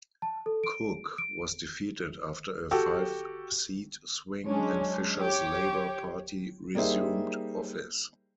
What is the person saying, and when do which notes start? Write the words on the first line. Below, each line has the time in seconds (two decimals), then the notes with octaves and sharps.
Cook was defeated after a five-seat swing, and Fisher's Labor Party resumed office.
0.22 A5
0.46 A4
0.64 D7
1.18 D7
2.71 F#4 G4 A4 G5
4.45 F#3 G#3 C#4 D4
5.16 G4 C#5
6.75 G3 A#3 D#4 G#4 C5 E5